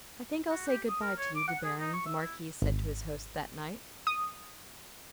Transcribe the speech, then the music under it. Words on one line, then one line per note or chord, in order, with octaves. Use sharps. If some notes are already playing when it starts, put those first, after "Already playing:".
"I think I'll say good-bye to you, De Baron," the Marquis said to his host, that night.
F#4
G4
D#6
A#4
C#5
D6
F#5
G#4
D#4
C#6
E5
E4
G#1
D#6